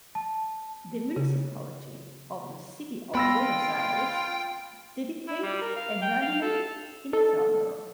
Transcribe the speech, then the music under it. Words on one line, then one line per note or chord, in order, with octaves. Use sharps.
The municipality of the City of Buenos Aires dedicated a monument in his honor.
A5
C#3
B3 F4 G5 B5 E6 A#6
E4
G3
A#4
F5
G5
F5
A4
A4